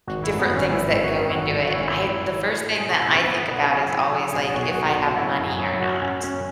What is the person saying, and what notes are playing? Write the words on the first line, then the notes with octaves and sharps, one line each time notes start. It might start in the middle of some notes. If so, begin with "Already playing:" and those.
different things that go into it. I the first thing that I think about is always like if I have money or not.
G#1 F#4
E4
F#2
B3
G#1
C#4
G#1 E4
G#1
F#4
F#2
E4
G#1 F#4
G#1
F#4
E4
G#1 C#4
E4
F#2
G#1
F#3
F#3
G#4
B2
F#4
B1 E4
C#4
B1 B3
B1 B3
F#3 C#4
F#3 E4
F#3 G#4
B1 G#4
B1 F#4
G#4
B1 F#4
F#4
B2
F#3 E4
F#2
G#4
F#3
E4
F#2 F#4
F#3 C#4
F#2 C#4